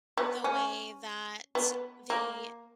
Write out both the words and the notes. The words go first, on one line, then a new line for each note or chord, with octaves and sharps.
the way that the
B3
C#4
B3
A#3